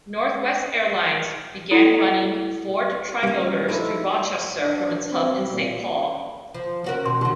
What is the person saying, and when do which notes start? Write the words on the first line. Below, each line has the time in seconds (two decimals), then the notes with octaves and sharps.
Northwest Airlines began running Ford Trimotors to Rochester from its hub in Saint Paul.
1.71 E4 A4
3.23 G3 C#4
3.68 F3 A3 D#4 E4
4.60 D4
5.11 C4
5.51 A#2
6.54 F3
6.84 C#4 F#4 A#4
7.05 B2 D#3 C6
7.21 D3 F#3 F#4 C6